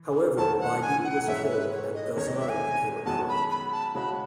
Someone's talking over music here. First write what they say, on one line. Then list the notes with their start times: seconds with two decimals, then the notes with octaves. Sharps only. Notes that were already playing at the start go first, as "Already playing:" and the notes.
However, Baidu was killed and Ghazan became a khan.
Already playing: E3
0.37 F#2 D#3 A3 E4 A5
0.60 F#5
0.82 G#5
1.04 F#5
1.27 G#2 E3 G#3 C#4 E5
1.50 B4
1.71 C#5
1.95 D#5
2.16 E2 D#3 G#3 C#4 C#5
2.28 D#5
2.39 E5
2.49 G#5
3.05 F#2 D#3 G#3 B3 F#4 A5
3.29 B5
3.50 B5
3.72 A5
3.95 C#3 G#3 C#4 F#4 B5